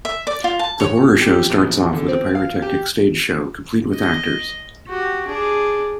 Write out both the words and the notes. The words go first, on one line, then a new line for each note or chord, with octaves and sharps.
The horror show starts off with a pyrotechnic stage show complete with actors.
E5
D5
F4
A5
C#5
G4
A#1
D3
C4
F5
G4
D#5
F#4 G4
D4 G#4